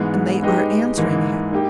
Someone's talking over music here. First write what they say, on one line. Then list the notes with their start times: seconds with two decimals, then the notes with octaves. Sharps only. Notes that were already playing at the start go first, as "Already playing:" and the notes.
And they are answering him!
Already playing: G#2 E3 G#3 B3
0.42 G#3 D#4 G4 B4
0.97 G#2 E3 A#3 D#4
1.52 A#3 D#4 G4